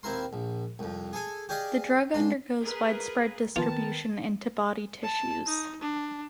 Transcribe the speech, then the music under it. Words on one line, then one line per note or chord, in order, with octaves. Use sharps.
The drug undergoes widespread distribution into body tissues.
D#2 C4 E4 A#4 C6
A#1
C2 F2
G#4 A4 G#5
G4 G#4 D5 D#5 F5
C#2 D4 C6
G#4 A#4 B4
D#3 B3 F4 A5
A5
D#4
D4